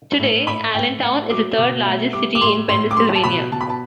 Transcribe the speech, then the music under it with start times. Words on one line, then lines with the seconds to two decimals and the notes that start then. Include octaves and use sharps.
Today, Allentown is the third largest city in Pennsylvania.
0.19 A2
0.47 A2 B5
0.75 A2 G5
1.03 A3 F#5
1.30 F#3 D6
1.57 B2 D6
1.85 A3
2.13 G3 D6
2.35 D6
2.41 A2 C6
2.69 A2 C6
2.91 D6
2.97 G3 C6
3.15 A5
3.24 B2 B5
3.51 B2 A5
3.61 B5
3.69 A5